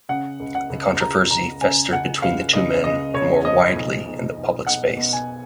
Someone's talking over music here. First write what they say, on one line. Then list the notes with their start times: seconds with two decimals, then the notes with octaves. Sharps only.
The controversy festered between the two men and more widely in the public space.
0.09 C#3 F#5
0.40 C#2
0.55 F#5
0.70 C#2
1.00 C#2 A#5
1.31 C#2 A#5
1.61 C#3 G#5
1.92 C#2 F#5
2.22 C#2 F5
2.53 C#2 D#5
2.84 C#2 D#5
3.14 C#2 C#5
3.45 F3 D#5
3.75 B1
4.06 B1
4.37 B1
4.67 B1 F#5
4.97 B2
5.13 G#5